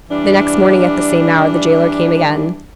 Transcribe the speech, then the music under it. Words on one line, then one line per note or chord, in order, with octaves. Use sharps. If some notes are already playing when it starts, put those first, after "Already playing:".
The next morning at the same hour, the jailer came again.
E3 G3 D4